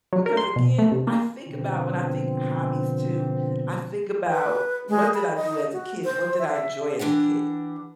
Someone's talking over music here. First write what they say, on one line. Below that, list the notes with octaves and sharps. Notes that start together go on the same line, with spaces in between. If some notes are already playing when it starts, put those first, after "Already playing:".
because, again, I think about when I think hobbies, too, I think about, what did I do as a kid? What did I enjoy as a kid?
F#3
A#4
C6
B2
A3
C3
A#3
B2 D3 F3 B3 C4
B4
G#3
B5
D#5
F#4
C5
E5
E3 D4 G4 F#5